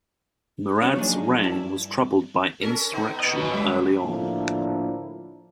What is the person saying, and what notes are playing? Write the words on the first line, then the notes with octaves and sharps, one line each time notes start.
Murad's reign was troubled by insurrection early on.
C#2 G3 C#4 C#5
F3 F#3 A#3 D4 D#4 G#4
G2 E4 D5 E5 A5
C#4 A4 A#4
A3 B3 D#4
B4 D#5
F#4 C#5 G#5
D#2 C#3 G3 G#3 E5
A2 D3 F3 A#3 D4 E4